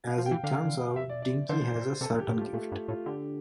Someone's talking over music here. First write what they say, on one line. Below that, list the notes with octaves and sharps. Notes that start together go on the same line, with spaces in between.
As it turns out, Dinky has a certain gift.
F5
F3
G5
E3
D3 F5
E5
D5
D5
D3 C5
A#2
C3 A4
A#2
G4
A2
F4
A2
A#2 A3
G2
A2 F4
D3 G4